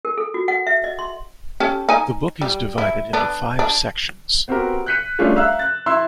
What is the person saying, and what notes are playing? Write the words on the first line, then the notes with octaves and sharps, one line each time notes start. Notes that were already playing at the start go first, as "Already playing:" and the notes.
The book is divided into five sections.
A#4
A4
F#4
F#5
E5
D#5
C6
C#4 G4 A4
D#4 G#5
G3
E4
D3 B3 D4
D4
B3 C4 F#4 G4 A#4
F#6 G6 B6 C#7 D#7
G3 A3 C#4 D4 F4 G#4
E5 F5 A#5 E6 F#6
F#6 A6
E4 C6 E6